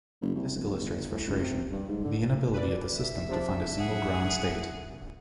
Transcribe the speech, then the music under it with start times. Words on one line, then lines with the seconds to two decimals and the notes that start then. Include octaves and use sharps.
This illustrates frustration: the inability of the system to find a single ground state.
0.21 F#1
0.35 C2
0.55 D1
0.79 G1
1.10 A2
1.27 C#2
1.40 C3
1.72 G2
1.88 G#2
2.04 D3
2.54 B4 D5
2.94 E5
3.29 C3 F3 D4
3.78 F#3 G#4 F#5